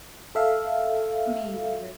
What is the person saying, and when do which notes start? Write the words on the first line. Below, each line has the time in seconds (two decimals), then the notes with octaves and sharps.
I mean, he was
0.35 A4 E5 F5